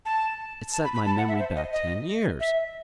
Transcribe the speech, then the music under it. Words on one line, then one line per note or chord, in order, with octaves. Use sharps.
It sent my memory back ten years.
A5
A5
B5
B5
A5
F#5
E5
C5
D#5
D#5
E5